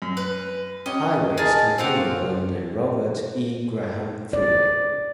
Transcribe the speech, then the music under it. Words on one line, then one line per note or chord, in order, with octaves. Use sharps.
Highways continue along the Robert E. Graham Freeway.
F#2
B4
C#4 G4 D#5
D#4 G#4 A#4 D#5 A5
C4 F#4 G4 C5 F5
D5